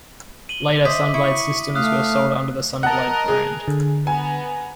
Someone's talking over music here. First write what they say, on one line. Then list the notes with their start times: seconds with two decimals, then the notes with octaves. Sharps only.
Later Sun blade systems were sold under the Sun Blade brand.
0.49 D#7 F#7 G7
0.85 C5 D#5 E5 D6 D#6 B6
1.14 E4 C#6
1.75 A3 F5 D#6 F#6
2.83 A#4 D#5 F#5 A5 F#6
3.28 G#4
3.68 D3
4.07 B3 G#5 A#5